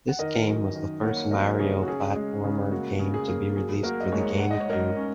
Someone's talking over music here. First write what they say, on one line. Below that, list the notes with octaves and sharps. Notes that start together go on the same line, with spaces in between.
This game was the first "Mario" platformer game to be released for the GameCube.
F#5
D#3 A#4 D#5
F#2
D#3
A#3 C#5 F#5
F#2 A#4 D#5
A#4
C#3 G#4 C#5
F#4
C#4 G#4
G#3
C#3
A#3 F#4
C#3
G#4
A#3
F#3 G#4
A#3 F#4 A#4
D#5
G#2 G#4 C#5
G#2 F#5
D#5
C#5
G#2 A#4 D#5
C#4